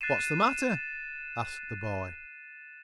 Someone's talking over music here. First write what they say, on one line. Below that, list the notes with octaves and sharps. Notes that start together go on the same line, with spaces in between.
"What's the matter?" asked the boy.
F#6 A6 C7 D#7 E7